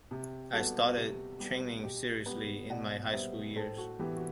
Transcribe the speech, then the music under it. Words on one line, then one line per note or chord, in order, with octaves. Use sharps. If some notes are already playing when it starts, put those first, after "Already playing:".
I started training seriously in my high school years.
C3
G3 B3 F#4 A4
C3 G4
G3 B3 G4
B2 G4
G3 B3 G4 B4
B2 D5 F#5
G3 B3 C5 E5
A2 A4 C5
F#4 A4
E3 B3 G4
F#4